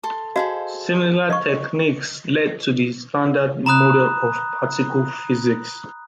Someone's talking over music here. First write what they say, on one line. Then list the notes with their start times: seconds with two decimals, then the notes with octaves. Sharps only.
Similar techniques led to the standard model of particle physics.
0.03 A4 C6
0.36 F#4 G#4 A4 C5 D#5 F5
1.30 D#5 C#6
3.66 A#5 B5 D#6 F#6